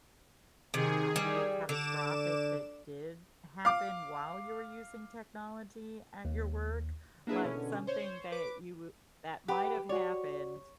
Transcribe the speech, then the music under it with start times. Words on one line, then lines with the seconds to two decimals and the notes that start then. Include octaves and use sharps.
maybe catastrophic that did happen while you were using technology at your work? Like, something that you w that might have happened
0.74 C3 D#3 G#4
1.16 G3
1.69 D3 D6 E7
3.65 F5 D6
6.25 D#2
7.27 A#3 D4 E4 G#4 B4
7.44 B2 D3 C#4
7.87 C5 C#5
8.32 B4 D6
9.48 G4 B4 F#5 B5
9.89 F#4 C#5 D5